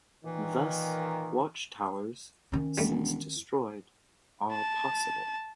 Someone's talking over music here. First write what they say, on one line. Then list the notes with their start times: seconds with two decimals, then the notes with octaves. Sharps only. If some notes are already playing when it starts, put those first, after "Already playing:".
Thus, watch towers, since destroyed, are possible.
0.25 A#2 D#3 E3
2.52 D#3 C#4
2.78 E1 G3 A3
4.52 A5